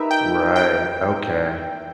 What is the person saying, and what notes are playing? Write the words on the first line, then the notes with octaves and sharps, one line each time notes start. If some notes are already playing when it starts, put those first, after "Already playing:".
Right, okay.
Already playing: A#3 D#4 G4 B4 E5
G5
G5